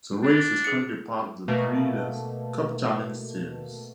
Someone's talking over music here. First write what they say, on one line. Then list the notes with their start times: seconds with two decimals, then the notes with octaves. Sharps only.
The race is currently part of the Breeders' Cup Challenge series.
0.24 D4
0.64 G#4 C#7
1.48 B2 A3 A#3